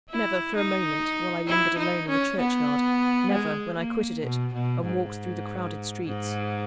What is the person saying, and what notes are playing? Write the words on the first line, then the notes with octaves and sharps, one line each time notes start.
Never for a moment, while I lingered alone in the churchyard; never, when I quitted it, and walked through the crowded streets.
E4
D#4
E4
D#4
C#4
B3
G#3
A#3
B2
B2
G#2
G#2